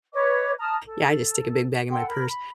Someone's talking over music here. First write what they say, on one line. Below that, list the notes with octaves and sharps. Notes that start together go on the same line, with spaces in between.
Yeah, I just stick a big bag in my purse,
B4 C#5 D#5 D6
A5 A#5 D#6 F6
A4
A4 F#5 G5 C6
A#4 B5
B5